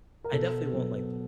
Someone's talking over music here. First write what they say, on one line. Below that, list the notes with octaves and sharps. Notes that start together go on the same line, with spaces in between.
I definitely won't, like,
A#4
B2 A4
F#3 B3